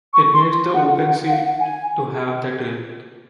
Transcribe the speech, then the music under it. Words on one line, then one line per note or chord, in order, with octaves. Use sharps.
It needs the open C to have that ring.
C#6
C6
F#5
F#5
F#5
F5
F#5
G#5